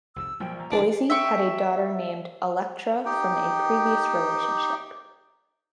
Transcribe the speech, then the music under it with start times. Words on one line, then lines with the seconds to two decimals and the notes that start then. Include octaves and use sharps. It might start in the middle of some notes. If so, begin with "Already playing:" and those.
Busey has a daughter named Alectra from a previous relationship.
0.16 C2 F2 G#2 E6
0.40 A#1 A#2 F#3 G3 G5
0.59 E3 A#5
0.72 C2 C#3 E3 G#3 D4
1.10 E5 G5 C#6
3.05 D#4 G4 G5